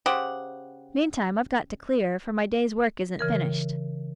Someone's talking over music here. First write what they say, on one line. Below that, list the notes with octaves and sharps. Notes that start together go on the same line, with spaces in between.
Meantime, I've got to clear, for my day's work isn't finished.
C#3 G4 C5 F#5
C#3 E3 A#4